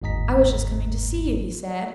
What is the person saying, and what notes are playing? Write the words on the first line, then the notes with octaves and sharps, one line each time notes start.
"I was just coming to see you," he said.
G1 D#2 G#2 D#5 A#5 B6